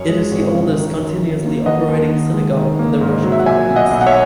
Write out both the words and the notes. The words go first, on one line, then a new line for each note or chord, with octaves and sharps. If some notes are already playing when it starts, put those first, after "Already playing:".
It is the oldest continuously operating synagogue in the Russian Far East.
Already playing: F#2 C#4 C#5
G#3
G#1
C#3
D#3
F#2
F#2
A#3
D#3 D#5 F#5
D#2
D#2
G#3
D#3
A#3
G#2
F#3
E5
F#5
A#2 E5 G#5
B1
D#5 F#5
B1
F#5
C#5 E5